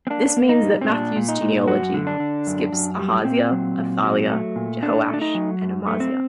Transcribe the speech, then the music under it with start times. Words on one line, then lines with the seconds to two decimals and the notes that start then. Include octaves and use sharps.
This means that Matthew's genealogy skips Ahaziah, Athaliah, Jehoash, and Amaziah.
0.07 C4
0.10 A#3 D4
0.37 A#3
0.49 D#4
0.63 G3
0.81 C4
0.89 A#2 D4
1.16 A#2
1.29 D#4
1.41 A#2
1.68 F#2 F#4
1.94 D3
2.07 D4
2.20 D3
2.47 F#2
2.72 F#2
2.99 G3
3.25 A#2 C4
3.52 F#3
3.78 A#2
4.04 F#3
4.30 A3
4.56 A#2
4.83 A3 D4
5.08 A3
5.14 D4
5.22 D#4
5.35 F#3
5.62 F#2
5.87 A3
6.00 C4